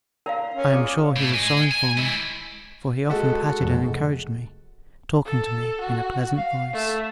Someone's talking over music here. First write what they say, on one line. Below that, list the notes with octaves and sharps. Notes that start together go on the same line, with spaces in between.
I am sure he was sorry for me, for he often patted and encouraged me, talking to me in a pleasant voice.
A#4 D5 F5 A#5 C6
C#4
G#3 F4 D5
A2
D#5 G#5
G#5
G#3 E4
G#3 F#4 A4
F1
A4
F#4
F5
A3